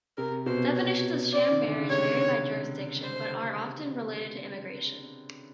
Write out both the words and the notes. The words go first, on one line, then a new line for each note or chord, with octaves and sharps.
Definitions of sham marriage vary by jurisdiction, but are often related to immigration.
C3 A#4
B2 C5
C#5
D5
D#3
D3
C#3
C3 C#5
C5